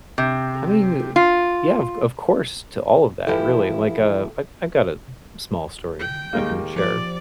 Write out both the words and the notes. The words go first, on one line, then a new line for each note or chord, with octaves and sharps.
I mean, yeah, of of course, to all of that, really, like, uh, I I've got a small story I can share.
C3
F4
E3 F3 E4 G4 A4
G5
D#2 G#3 A#3 G4
F3 D5